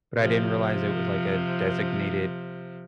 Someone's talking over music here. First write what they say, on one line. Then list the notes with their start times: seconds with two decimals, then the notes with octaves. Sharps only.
but I didn't realize it was, like, a designated
0.17 C3 F3